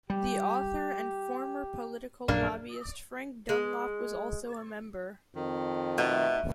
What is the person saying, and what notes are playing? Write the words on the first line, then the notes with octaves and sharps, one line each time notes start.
The author and former political lobbyist Frank Dunlop was also a member.
G3 G4
A#1 F#2 A#3 D4 A#4
G#3
F2 D#3
B2 A3 B3 D#4